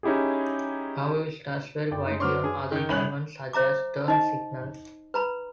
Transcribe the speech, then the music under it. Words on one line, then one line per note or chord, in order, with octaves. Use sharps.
However, states vary widely on other equipment such as turn signals.
C#4 D#4 E4 G4 G#4
F#2 D5 G5
G#3 D#4
F#3 C4 D4 B4 C#5 C6 D6 F6
D4 G#4
D#3 G6
G#1 C3 G3 C#4 B5 F#6 F#7
C5 E5 A#5 D6
D#4 D#5
B4 A#5 B5